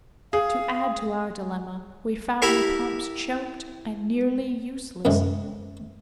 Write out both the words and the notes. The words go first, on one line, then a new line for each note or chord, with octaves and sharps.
To add to our dilemma, we found the pumps choked and nearly useless.
G#4 F5
E4 G4 A#4 A5 B5
C2 F#2 C3 G#3 A3